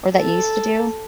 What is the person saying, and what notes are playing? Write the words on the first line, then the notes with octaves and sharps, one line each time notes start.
Or that you used to do?
A4